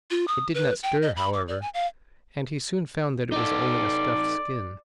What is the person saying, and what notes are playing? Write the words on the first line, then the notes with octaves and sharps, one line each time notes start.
It did not stir, however, and he soon found that it was only a stuffed skin.
F4
D#6
B4
G5
D#5
B5
D6
D5
G#5
F5
D#4 A4 D5